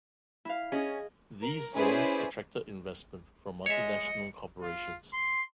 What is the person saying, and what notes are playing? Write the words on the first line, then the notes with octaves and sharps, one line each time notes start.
These zones attracted investment from multinational corporations.
E4 F5
C#4 G#4 D#5
A#4
C#4 E4 G#4 B4 C5 D5
G#3 C#5 D#5 E5 C#7
F4
C6